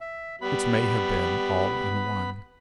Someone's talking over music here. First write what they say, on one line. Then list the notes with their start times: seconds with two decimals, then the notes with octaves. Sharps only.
It may have been all in one.
0.01 E5
0.41 G3 B3 B5